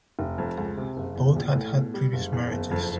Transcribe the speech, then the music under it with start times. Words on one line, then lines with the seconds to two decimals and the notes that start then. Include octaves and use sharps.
Both had had previous marriages.
0.19 F1
0.38 F2
0.58 C#2
0.77 C3
0.97 F#1
1.15 E2
1.36 A#1
1.55 A2
1.74 B2
1.94 G3
2.13 F#1
2.33 E2
2.51 F#1
2.71 F2